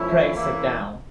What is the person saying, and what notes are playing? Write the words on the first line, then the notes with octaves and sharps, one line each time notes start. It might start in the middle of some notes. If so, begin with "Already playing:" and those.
Pray sit down.
Already playing: A#2 F3 A3 C#4 E4
C#3 E3 A#3 E4